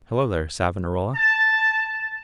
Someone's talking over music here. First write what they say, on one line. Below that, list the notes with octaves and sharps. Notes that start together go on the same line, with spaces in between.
"Hello there, Savonarola."
A5